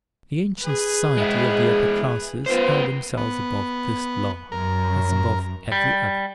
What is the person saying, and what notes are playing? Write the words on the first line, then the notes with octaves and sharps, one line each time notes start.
The ancient society of the upper classes held themselves above this law, as above every other.
G#4 B4
G#3 E4
B3 F4 C5
B3
F#2 A#4
G3